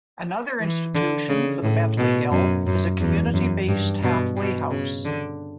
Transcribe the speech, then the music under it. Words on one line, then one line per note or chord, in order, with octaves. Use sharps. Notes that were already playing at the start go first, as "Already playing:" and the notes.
Another institution for the mentally ill is a community-based halfway house.
E3
D3
C#3
A2
B2
F#2
F#2
E2
F#2
G2
B2
B2
C#3
D3